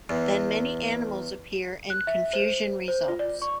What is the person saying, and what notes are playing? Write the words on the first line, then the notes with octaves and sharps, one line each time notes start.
Then many animals appear, and confusion results.
E2
F#6
E5
C5
C5
F4
D5
C#6